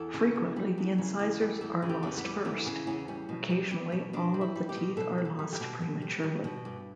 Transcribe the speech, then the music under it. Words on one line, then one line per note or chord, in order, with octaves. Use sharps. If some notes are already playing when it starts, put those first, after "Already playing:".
Frequently, the incisors are lost first; occasionally all of the teeth are lost prematurely.
Already playing: E2 A4
C#3
E2
G3
E2
C#3
E2
G3
E2 A4
C#3
G4
E2
B3
G3
E2 A3
C#3 B3
E2 C#4
G3 C#4
B2
G3
G3
B2
B2 D4
G3
E4
G3
G4
B2
B2 A4
G3
A4
G3
G4
B2
B2
G3
G3
B2
G2